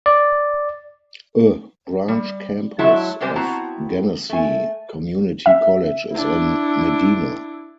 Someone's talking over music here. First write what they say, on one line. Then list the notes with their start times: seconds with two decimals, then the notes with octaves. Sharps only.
A branch campus of Genesee Community College is in Medina.
0.06 D5
2.08 G3
2.79 F#3 G#3 E4 E5 A5
3.21 F#2 C3 G3 G4 C5 G#5
3.36 B3 C4 E4 F#4 A5 A#5
4.29 A3 G#5
5.46 E5
6.12 D4 E4